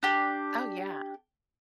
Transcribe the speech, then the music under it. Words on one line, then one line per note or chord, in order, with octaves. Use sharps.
Oh, yeah.
D4 G4